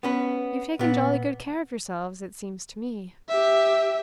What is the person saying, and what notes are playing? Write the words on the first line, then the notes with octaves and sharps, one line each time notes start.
'You've taken jolly good care of yourselves, it seems to me.'
B3 C#4 B4
A#2 B3
G4 E5